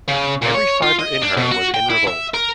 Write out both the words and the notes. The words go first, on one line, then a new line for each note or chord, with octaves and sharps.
Every fibre in her was in revolt.
C#3
A#2
C#5
F4
D#5
D4
B2
F#4
G5
E4
E5
A#4